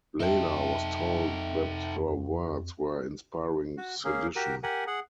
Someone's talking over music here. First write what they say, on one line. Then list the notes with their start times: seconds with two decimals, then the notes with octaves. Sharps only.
Leyla was told that her words were inspiring sedition.
0.20 F2 D#4 A4 E5 G5
3.77 F#4
4.04 A#3 C#4 G#4
4.36 F#4 G4 A#4
4.63 G4 A#4 F#5 G#5
4.87 G#4 F#5